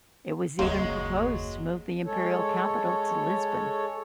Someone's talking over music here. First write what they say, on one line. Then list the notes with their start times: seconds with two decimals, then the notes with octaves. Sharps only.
It was even proposed to move the Imperial capital to Lisbon.
0.59 F#1 D#2 F#3 G#3 A#3 C4
2.05 G#3 A4 C#5